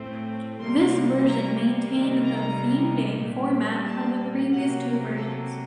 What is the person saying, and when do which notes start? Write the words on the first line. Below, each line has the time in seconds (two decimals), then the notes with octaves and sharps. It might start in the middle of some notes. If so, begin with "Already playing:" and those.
This version maintained the "theme day" format from the previous two versions.
Already playing: A2 A3 C4
0.60 C3 G3 A#3 C6
1.26 A#5
1.90 C3 D#3 G3 A#3 A#5
2.23 A#5
3.20 A#2 G3 A#3
3.85 A5
4.52 C3 F#3 A#3 F#5
4.84 A#4
5.17 A4